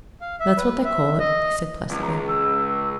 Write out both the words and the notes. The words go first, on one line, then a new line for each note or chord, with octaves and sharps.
"That's what they call it," he said, placidly.
F5
E5
B4
E5
D#5
C#2
A#5
E6